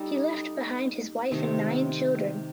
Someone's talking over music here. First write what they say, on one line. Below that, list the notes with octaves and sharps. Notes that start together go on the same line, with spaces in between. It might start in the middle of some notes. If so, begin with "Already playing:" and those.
He left behind his wife and nine children.
Already playing: G3 D#4 A4
C3 D#3 A3 C4